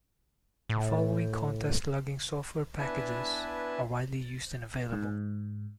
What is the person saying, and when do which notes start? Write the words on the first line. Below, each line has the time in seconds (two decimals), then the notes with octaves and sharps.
The following contest logging software packages are widely used and available.
0.70 A2
2.79 B3 D4 E4 B4 G#5 A5
4.92 G#2